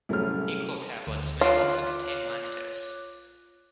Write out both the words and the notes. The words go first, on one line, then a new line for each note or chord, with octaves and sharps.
Equal tablets may also contain lactose.
C2 F#3 A3 C#4 G#4 F6
D2
F4 C#5 D6 F#6